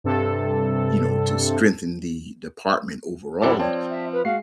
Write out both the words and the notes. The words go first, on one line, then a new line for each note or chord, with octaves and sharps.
you know, to strengthen the department overall.
G2 C3 A4
F#2 G3 E4 A4 D6
F3 C4 C#5 D5 G5 A5
E5
B4
G#3 F#4 F5 C7